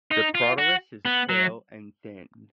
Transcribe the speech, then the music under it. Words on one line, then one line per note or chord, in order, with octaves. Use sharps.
The prothallus is pale and thin.
D#4
F4
F#4
B3
F#3